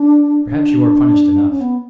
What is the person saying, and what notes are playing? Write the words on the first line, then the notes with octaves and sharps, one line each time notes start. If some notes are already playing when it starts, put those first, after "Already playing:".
Perhaps you are punished enough.
Already playing: D4
D4
C#4
B3